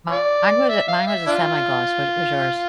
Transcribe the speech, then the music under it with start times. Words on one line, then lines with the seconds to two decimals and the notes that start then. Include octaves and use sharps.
Mine was a mine was a semi-gloss, what was yours?
0.11 F4 D5
0.69 E5
0.88 F5
1.07 E5
1.27 D4 F4